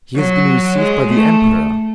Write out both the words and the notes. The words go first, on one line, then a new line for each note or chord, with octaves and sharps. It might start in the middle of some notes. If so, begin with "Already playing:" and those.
He has been received by the Emperor.
F#3
G#3
A3